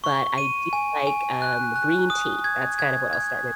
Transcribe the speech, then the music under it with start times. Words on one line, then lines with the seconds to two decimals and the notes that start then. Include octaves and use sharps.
but I do like, um, green tea, that's kind of what I'll start my day
0.04 C#6
0.38 D#7
0.73 G#5
1.07 G#5
1.42 F#6
1.76 F#6
2.10 D#6
2.44 G#6
2.79 G#6
3.13 G#6